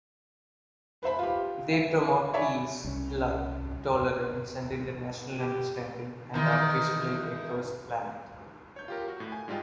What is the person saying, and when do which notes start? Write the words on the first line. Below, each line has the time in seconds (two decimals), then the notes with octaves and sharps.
They promote peace, love, tolerance and international understanding and are displayed across the planet.
1.03 B4 C5 E5 B5
1.19 F4 G4
1.73 E5
2.34 C#5 D5 E5 G#5 B5
2.85 C2 C#4
5.38 G4
6.34 E2 D#3
8.76 C#5 G6
8.88 F4 G4 A#4
9.08 F#4
9.20 A2
9.32 G#5
9.48 G#2 G3 G#3 F4 F5 G5